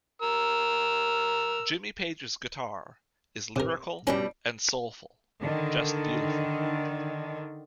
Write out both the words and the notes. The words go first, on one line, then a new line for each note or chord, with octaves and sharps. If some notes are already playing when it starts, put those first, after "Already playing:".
Jimmy Page's guitar is lyrical and soulful - just beautiful.
A#4 E6
C3 A#4
G2 B2 G3 C#4
D3 D#3